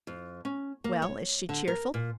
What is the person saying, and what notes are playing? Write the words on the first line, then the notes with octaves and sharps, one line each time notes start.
"Well, is she cheerful?"
F2
C#4
A#3
C#5
D3
A#4
A#2